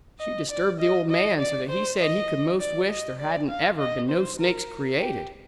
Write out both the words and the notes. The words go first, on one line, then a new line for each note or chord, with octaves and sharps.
She disturbed the old man so that he said he could most wish there hadn't ever been no snakes created.
D#5
D5
D#5
D#5
D5
C5
D#5
D5
D#5
D5
F5
D#5
C5
A#4
G4